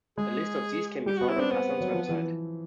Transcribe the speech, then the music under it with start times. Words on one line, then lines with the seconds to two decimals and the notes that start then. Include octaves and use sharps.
A list of these can be found on Hassan's website.
0.18 G#3 G#4
1.06 G3 G4
1.18 B3 F#4
1.29 E4
1.36 C4
1.40 D4
1.51 B3 C4
1.80 F#3
1.94 F3
2.09 E3